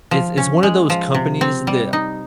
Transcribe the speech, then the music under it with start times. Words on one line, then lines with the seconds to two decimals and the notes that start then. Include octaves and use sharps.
it's it's one of those companies that
0.11 F3
0.38 C#4
0.63 G#3
0.90 F3
1.14 C3
1.41 C4
1.67 G3
1.93 D#4